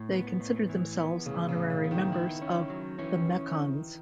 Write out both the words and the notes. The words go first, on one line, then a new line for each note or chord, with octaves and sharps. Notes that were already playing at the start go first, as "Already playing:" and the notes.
They consider themselves honorary members of The Mekons.
Already playing: A2
B3
A2
E3
B3
A2 C#3
C#3
A2
C#3
B3
D#3
E4
C#4
F#3
E3 C#4